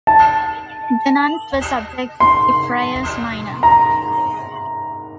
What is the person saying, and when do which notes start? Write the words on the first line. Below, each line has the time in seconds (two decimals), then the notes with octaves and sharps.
The nuns were subject to the Friars Minor.
0.07 A5
2.20 C6
3.63 A#5